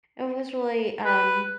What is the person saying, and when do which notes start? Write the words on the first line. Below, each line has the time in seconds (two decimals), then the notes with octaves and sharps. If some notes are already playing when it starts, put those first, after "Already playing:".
it was really, um,
1.05 B4